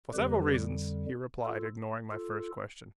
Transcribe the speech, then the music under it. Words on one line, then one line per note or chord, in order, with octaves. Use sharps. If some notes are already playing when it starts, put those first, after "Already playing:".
"For several reasons," he replied, ignoring my first question.
F2 D3 G3 G4 B4
F4 A4
F4 A4